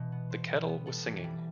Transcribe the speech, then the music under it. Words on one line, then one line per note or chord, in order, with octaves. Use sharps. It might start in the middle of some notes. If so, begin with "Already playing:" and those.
The kettle was singing.
Already playing: B2 E3
B3
C5
G3
B3
A4
E3
G3